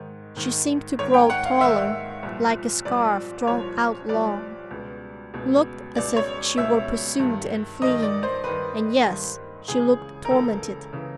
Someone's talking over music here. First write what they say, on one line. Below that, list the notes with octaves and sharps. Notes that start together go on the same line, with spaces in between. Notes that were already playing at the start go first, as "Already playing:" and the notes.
She seemed to grow taller, like a scarf drawn out long; looked as if she were pursued and fleeing, and--yes, she looked tormented.
Already playing: G#2 D#3
G#2 D#3
G#2 D#3 C#5
G5
F#5
F5
G#2 D#3 E5
C2 A#2 F3
C2 A#2 F3 D5
C2 A#2 F3 C#5
C2 A#2 F3 D5
C#2 B2
C#2 B2
C#2 B2 D5
C#5
C#2 B2 E5
G2 D#3
G2 D#3 D#5
D5
C5
G2 D#3 B4
G2 D#3
C#2 C#3 E3 G#4
A#4
C#2 C#3 E3 A4
C#3 E3